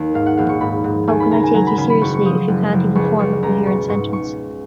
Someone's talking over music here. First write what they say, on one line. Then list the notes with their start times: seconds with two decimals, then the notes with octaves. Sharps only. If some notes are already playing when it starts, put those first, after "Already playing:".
How can I take you seriously if you can't even form a coherent sentence?
Already playing: D#2
0.14 G#2 F5
0.26 F#5
0.37 A#1 F5
0.49 C#6
0.61 G#2 B5
0.84 G#2
1.07 D#2 G#5
1.20 B5
1.31 C#3 A#5
1.43 G#5
1.54 F#3 A#5
1.67 B5
1.78 C#3 B5
1.90 B5
2.01 F#1 C#6
2.14 C#6
2.26 F3 D#6
2.37 D#6
2.48 F#1
2.73 F#1
2.95 C#2 C#6
3.19 C#2 C#6
3.43 C#2 A#5
3.66 B2 C#6
3.89 G#2 C#6
4.13 C#6